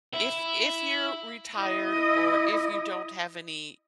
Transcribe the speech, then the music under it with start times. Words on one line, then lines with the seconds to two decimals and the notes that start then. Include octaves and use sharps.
If if you're retired or if you don't have any
0.14 E4
1.57 E4 D#5